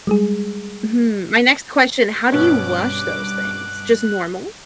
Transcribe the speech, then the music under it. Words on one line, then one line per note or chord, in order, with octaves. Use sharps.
Hmm. My next question- how do you wash those things? Just normal?
G3 G#3 G#4
G2 B2 B3 C#4 D6 F#6